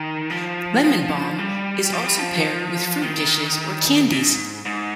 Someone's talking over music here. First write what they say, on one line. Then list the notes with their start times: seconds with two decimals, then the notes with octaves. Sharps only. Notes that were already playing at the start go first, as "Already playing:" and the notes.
Lemon balm is also paired with fruit dishes or candies.
Already playing: D#3
0.30 F3
0.84 F3
1.38 G3
1.92 F3
2.06 G3
2.19 F3
3.02 D#3
4.11 G#2
4.65 G#2